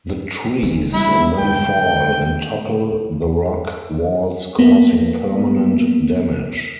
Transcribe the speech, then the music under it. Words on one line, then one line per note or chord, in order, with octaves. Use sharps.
The trees then fall and topple the rock walls causing permanent damage.
F1 D2
G3 G#3 E4 B5
D2 G#3 G5
A#3 B3